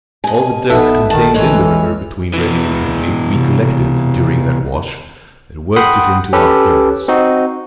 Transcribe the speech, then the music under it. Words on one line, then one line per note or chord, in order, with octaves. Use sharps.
All the dirt contained in the river between Reading and Henley, we collected, during that wash, and worked it into our clothes.
B2 G#5
A#1 B3 D#4 A4 E5
D#3 A5
E3 G#3 C#5
B2 E3
C3
F#5 G5 B5 C6 D#6
C#4 G4 A4 B4
C4 D#4 F#4